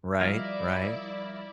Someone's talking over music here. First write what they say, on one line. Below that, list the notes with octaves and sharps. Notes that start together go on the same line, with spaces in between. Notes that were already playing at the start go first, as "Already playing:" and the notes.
Right, right.
F3 G3 E4 A#4 D5 D#5 F5